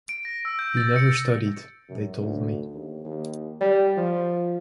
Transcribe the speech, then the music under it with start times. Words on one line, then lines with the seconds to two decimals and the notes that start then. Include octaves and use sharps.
'He never studied', they told me.
0.09 D7
0.25 A#6
0.45 E6
0.59 G6
0.77 A6
0.96 C#7
1.89 F#2
2.22 D2
2.74 D#2
3.05 D#2
3.61 G3
3.97 F3